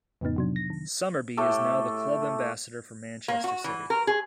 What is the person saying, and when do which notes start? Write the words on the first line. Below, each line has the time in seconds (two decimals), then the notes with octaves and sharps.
Summerbee is now the Club Ambassador for Manchester City.
0.21 F2 A2 C#3 F3 B3 D#4
0.36 C3 F#3 D4
0.56 A#6
0.70 D#3
1.37 A2 A3 G4 A4
3.28 A#3
3.44 F#4
3.64 E3
3.90 A#4
4.07 G#4